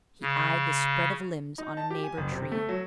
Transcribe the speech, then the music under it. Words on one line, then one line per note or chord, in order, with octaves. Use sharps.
He eyed the spread of limbs on a neighbor tree.
C#3
D#4
A5
G4
G#5
F#1
C3
A3
F#3